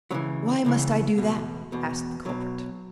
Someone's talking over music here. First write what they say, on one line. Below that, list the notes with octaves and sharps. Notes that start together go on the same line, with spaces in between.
"Why must I do that?" asked the culprit.
C#2 C#3 E3 F#3
C#2 C#3 E3
E2 B2
E2 B2
B1 B2 F#3